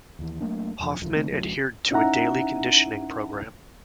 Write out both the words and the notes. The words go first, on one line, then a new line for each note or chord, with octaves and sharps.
Hoffman adhered to a daily conditioning program.
D#2 E3
F#3 A3 A#3 D4
F2 C3 F3 D4
D#1 C#2 D3 F3
C#3 A3 C4
A1 D2 F#3
C#4 D#4 E4 E5 F#5 A#5